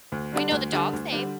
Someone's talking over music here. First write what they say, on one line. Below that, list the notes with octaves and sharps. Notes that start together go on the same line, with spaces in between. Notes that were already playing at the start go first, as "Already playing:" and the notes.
We know the dog's name,
D2
D3 G3 D4
D2
D3 G3 D4
D2
D3 G3 D4